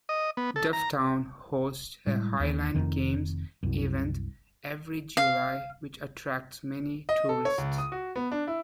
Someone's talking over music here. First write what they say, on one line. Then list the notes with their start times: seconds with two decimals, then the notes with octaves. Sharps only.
Dufftown hosts a highland games event every July which attracts many tourists.
0.09 D#5
0.37 B3
0.56 A4
0.73 A#5
2.07 A2 G3 G#3
2.40 D#2
2.74 F1 A#1 F2 D#3
3.63 C2 F#2
5.17 F5
7.09 D#5
7.29 A4
7.45 C#5
7.58 C#2
7.78 D#6
7.92 F#4
8.16 B3
8.32 D4
8.47 E4